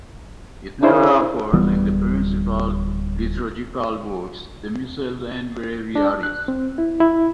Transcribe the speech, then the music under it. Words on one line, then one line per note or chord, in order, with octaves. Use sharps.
It never occurs in the principal liturgical books, the missals and breviaries.
C#3 D4 E4 C5
D1 E3 G3 B3
D4
F#6
C4
E4
E4